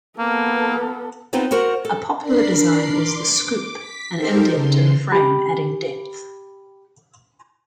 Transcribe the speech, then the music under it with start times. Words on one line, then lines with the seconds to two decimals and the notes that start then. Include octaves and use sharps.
A popular design is the scoop, an indent in the frame adding depth.
0.19 A#3 B3 A4
1.33 B3 C4 D#4 F4 B4 C5
1.51 F#4 A#4 C5 F#5
1.85 A4
2.22 D4 A#4 B5 C7
2.91 C6 D6
3.33 D6
3.78 B6
4.17 D#4 G4 A4 A#4 C5
4.54 C#3 C6
5.12 G4 B5